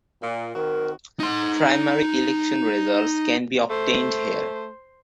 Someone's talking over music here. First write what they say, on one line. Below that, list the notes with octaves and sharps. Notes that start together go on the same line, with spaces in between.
Primary election results can be obtained here.
A#2
D#3 C4 F#4 A#4
D#4 C6
A3 C5